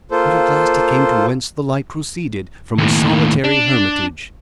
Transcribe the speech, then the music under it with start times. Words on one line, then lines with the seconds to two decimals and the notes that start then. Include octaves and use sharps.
But at last he came to whence the light proceeded--from a solitary hermitage.
0.11 A#3 F4 A4 C5
2.78 D#2 A2
3.45 D4